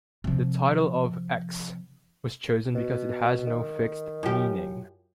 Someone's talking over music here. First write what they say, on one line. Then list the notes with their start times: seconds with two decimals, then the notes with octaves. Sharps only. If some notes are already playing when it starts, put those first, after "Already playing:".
The title of "X" was chosen because it has no fixed meaning.
0.24 C3 F3
2.74 B2
3.47 D#3
4.23 F#2 F4 G4